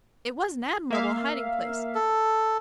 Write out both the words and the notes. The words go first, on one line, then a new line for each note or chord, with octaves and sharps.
It was an admirable hiding-place.
A#3 E5 F5
A4